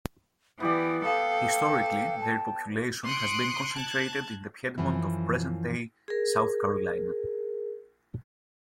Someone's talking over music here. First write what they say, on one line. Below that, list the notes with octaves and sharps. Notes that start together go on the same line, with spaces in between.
Historically, their population has been concentrated in the Piedmont of present-day South Carolina.
E3 B3 E4 G4 D5
A4 F5 G5
A5
C6 D#6 F#6 C#7 D7
A5 F#6 G#6
F#2 E3 F3 E4
G#4 A#4